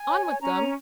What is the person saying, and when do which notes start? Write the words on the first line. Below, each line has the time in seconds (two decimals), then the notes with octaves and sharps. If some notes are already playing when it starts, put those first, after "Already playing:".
On with them!
Already playing: G#5
0.09 C#5
0.26 C#5
0.41 C#4 A#5
0.58 C#5